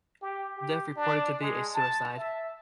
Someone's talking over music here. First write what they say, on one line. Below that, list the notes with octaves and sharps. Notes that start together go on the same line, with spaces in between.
The death reported to be a suicide.
G4
G4
D4
G#3
A5
E5